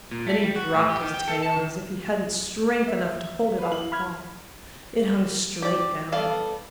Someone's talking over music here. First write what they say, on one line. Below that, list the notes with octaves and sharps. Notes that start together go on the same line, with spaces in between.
Then he dropped his tail as if he hadn't strength enough to hold it up at all. It hung straight down.
A#2
A3
G3
F#4
A2
G4
D#3
G5
A4
A5
D#3
E5
B4 F5
E4 F#7
B5 F6 G#6
G4 D5
G3 B3 A4 D5 F5